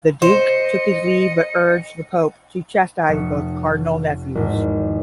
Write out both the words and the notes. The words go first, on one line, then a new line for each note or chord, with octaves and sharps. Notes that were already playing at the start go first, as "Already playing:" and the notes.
The Duke took his leave but urged the Pope to chastise both Cardinal-nephews.
C5 D#5 C#7
F1 D#6 C#7
G#1 E2